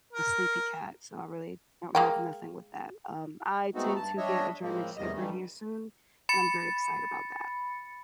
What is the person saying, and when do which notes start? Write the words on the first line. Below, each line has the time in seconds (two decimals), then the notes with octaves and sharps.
a sleepy cat, so I really don't have nothing with that, um, I tend to get a German shepherd here soon, and I'm very excited about that.
0.13 A#4
1.95 G#3 A#3 G5
3.75 G#3 A3 B3 C4 D#4 F#4
3.96 G2 A5
4.18 G3 D4 C#5 D#5 E5
4.61 A2 F3 G#3 A#3 C4
4.97 E2 A2 C3 D#3 G3 D#5
5.12 G2 D#3 E3 G3 A3
6.29 B5 A6 C#7